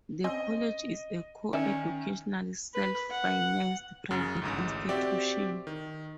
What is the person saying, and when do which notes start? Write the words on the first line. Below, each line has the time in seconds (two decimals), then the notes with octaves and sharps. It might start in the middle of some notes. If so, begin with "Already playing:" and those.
The college is a co-educational self-financed private institution.
0.24 C4 C#4 D#5 G#5
1.53 D#3 C#4 D5 E5
2.74 B4
3.11 F#5
4.11 F#2 C#3 A6
4.42 A1 D2 G#2
4.89 C4 F#4 G4 D5 E5
5.67 D#3